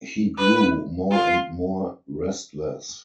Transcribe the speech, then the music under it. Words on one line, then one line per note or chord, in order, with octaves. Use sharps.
He grew more and more restless.
B4
F4